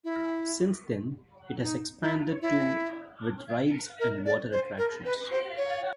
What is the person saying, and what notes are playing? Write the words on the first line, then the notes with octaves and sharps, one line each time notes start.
Since then, it has expanded to with rides and water attractions.
E4
D#4
E4
E4
A#4
D5
C5
A#4
B4
C5
C#5